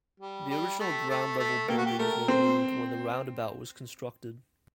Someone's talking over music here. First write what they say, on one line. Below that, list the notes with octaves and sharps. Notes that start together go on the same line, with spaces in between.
The original ground-level buildings were removed when the roundabout was constructed.
G3
G3
A3
A3
A3
A#3 G4
F#4
G4
A3 A#4
C4 C5